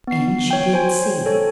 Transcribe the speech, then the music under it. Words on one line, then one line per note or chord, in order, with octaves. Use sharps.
And she did see.
B3 C7
C#5 G5
C5 G#5
A4 C#5